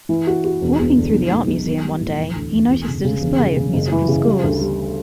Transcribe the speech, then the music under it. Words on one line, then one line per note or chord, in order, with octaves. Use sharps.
Walking through the art museum one day, he noticed a display of musical scores.
E3
F#4
F#4
E1
E2
D3
B1
B1
B1
B3
G3
A2
E1
D2
E1
E2
C#3
C#3
E1
C#3
C#3
F#1
E3
C#3
G3
D2
G3